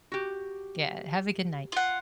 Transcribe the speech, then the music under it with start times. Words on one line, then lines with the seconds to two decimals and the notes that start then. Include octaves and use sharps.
Yeah, have a good night.
0.12 F#4 G4
1.72 F4 F#5